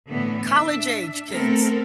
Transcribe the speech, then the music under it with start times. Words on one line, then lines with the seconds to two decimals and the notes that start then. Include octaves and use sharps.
college-age kids.
0.10 A2 D3 E3 B3
0.50 D4 E5
1.31 A3 B3 C4 A4 A#4